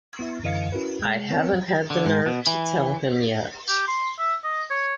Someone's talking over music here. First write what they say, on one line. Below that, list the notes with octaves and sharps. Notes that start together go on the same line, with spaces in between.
I haven't had the nerve to tell him yet.
B3 E4 E5
F#2 D3 E3 D#5 F5 C#7
C#4 E4 F#4 A#4 B4
G#3
B3 C4 A#4 B4 C#5
D3
G#2
B2
E3
G4
C6
E5
D#5
C#5